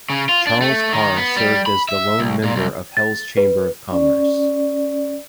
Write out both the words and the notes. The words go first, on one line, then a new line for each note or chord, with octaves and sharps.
Charles Carr served as the lone member of Hell's Chamber of Commerce.
C#3
F4
D4
A3
D#3
B3
G3
B5
E5
C2
A#2
C2
A6
B4
C#4 D5